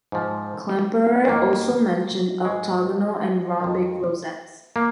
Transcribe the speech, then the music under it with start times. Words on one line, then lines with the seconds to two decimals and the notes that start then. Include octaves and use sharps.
Klemperer also mentioned octagonal and rhombic rosettes.
0.12 G#2 F3
1.28 F2 D#3 A#3
2.45 G#2 F3 G#3
3.60 F2 D#3
4.76 A#3